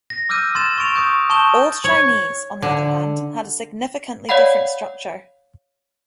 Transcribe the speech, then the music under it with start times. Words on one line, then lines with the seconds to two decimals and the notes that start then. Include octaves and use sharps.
Old Chinese, on the other hand, had a significantly different structure.
0.10 A#6
0.29 D6 E6 F6 G6 D#7
0.55 C6 A6 E7
0.78 C#6 A6 D7 F7
0.96 C#6 D#6 G6
1.30 A5 C#6 D#6 G6 E7 G7
1.84 C#5
2.62 D3
4.29 C#5 D5 F5 F#5 B5